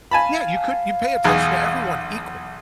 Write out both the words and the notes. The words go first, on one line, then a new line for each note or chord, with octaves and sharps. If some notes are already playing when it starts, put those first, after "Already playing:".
Yeah, you couldn't you pay attention to everyone equally.
F5 G#5 A5 B5
B1 E2 G#4